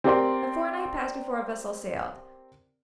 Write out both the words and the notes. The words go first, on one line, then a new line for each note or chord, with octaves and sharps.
A fortnight passed before a vessel sailed.
C4 G4 A#4 D5 G5 C6